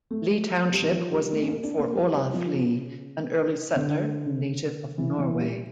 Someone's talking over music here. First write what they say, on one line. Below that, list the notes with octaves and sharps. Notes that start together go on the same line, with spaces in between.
Lee Township was named for Olaf Lee, an early settler and native of Norway.
A3
G3
E3
F3
G3
A3
C#4
A#3
D4
A#3
G3
G3
F3
C#3
D3
E3
E3
G3